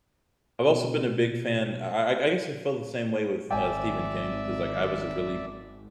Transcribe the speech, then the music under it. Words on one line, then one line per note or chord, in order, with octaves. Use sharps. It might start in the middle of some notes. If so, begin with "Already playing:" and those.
I've also been a big fan. I I I guess I feel the same way with, uh, Stephen King, 'cause, like, I was a really
B2
G#1 D5 E5 G5 G#5